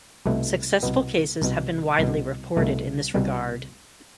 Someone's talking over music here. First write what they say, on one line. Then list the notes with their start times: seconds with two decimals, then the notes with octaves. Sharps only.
Successful cases have been widely reported in this regard.
0.26 C2 B2 A3
0.83 C2 B2 B3
1.42 C2 B2
1.99 C2 B2
2.57 C2 B2 A3
3.14 C2 B2 G3